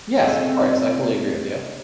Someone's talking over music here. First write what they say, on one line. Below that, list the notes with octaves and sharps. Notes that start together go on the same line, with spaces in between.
Yes, of course, I fully agree with you.
A3 C4 G#4 A4 D#5 E5